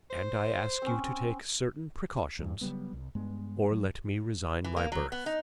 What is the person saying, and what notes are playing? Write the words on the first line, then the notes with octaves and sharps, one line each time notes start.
And I ask you to take certain precautions or let me resign my berth.
C5
C4 C#4
E2 G2
C#3 F#3 G3 B3
C2
G2 G#3 B3
F#3
E3
A#3
F#3
B3
D#4